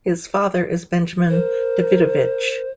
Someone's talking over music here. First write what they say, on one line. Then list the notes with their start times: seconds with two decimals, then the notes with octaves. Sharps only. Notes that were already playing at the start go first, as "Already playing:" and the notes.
His father is Benjamin Davidovich.
1.29 A#4 C5